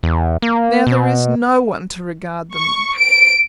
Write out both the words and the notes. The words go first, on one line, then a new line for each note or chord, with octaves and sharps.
Now there is no one to regard them.
E2
A#3
B2
C#6
D7